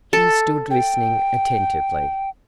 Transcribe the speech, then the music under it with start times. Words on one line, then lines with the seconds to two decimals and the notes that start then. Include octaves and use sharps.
He stood listening attentively.
0.13 A4
0.71 G5